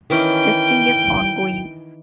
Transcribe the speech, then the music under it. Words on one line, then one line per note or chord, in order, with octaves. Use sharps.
Testing is ongoing.
D#3 E3 C#4 G5